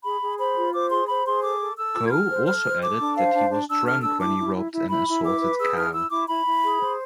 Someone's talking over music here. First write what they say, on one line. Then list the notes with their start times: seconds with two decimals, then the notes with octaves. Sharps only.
Kho also added that he was drunk when he robbed and assaulted Cao.
0.04 G#4 B5
0.21 G#4
0.38 C5 B5
0.56 F4
0.73 C5 D6
0.90 G#4 C6
1.07 C5 B5
1.25 G#4 C6
1.43 A4 D6
1.60 A4
1.77 A4 E6
1.95 F4
2.07 G#6
2.12 A4 F6
2.30 C5
2.46 A4 F6
2.64 C5
2.81 A4 D6
2.99 D4
3.16 C5 F5
3.34 D4
3.50 D4
3.68 D4 E6
3.85 A4 F6
4.02 D4 E6
4.20 E4 D6
4.38 E4
4.55 E4
4.72 E4
4.89 E4 B5
5.07 E4
5.24 B4 D6
5.41 B4
5.58 G#4 E6
5.76 E4 F6
5.93 E4 E6
6.10 E4 D6
6.28 E4 B5
6.46 E4
6.63 G#4
6.81 C5